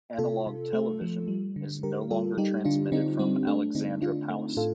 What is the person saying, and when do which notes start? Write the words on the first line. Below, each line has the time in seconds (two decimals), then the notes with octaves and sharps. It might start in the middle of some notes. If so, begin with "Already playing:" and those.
Analogue television is no longer transmitted from Alexandra Palace.
0.18 C3 F4 A4
0.47 C3
0.73 A3
1.01 F3
1.28 G3
1.56 D3
1.83 D3 G4 A#4
2.11 G3 F4 A4
2.38 G3 D#4 G4
2.65 D3 D4 F4
2.92 D3 C4 D#4
3.19 G3 C4 D#4
3.47 A3 D4
3.75 D3 C4 D#4
4.02 D3 D4 F4
4.30 A3
4.57 A2 F4 A4